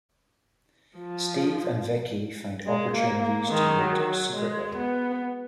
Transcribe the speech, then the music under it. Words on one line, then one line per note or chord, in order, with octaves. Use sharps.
Steve and Vickie find opportunities to meet secretly.
F3
G#3
A#3
A#3
D#3 G#3
F#3
F#3
G#3
B3